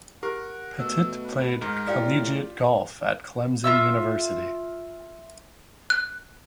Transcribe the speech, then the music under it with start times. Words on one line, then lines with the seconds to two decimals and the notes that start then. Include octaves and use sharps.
Pettit played collegiate golf at Clemson University.
0.23 G4 A#4 F#5
0.79 B2 A3 E6
1.24 B4
1.62 G#2 A#4
1.87 A2 F4 G4 D5 F5 G5
3.64 F4 E5 E6
5.90 F#6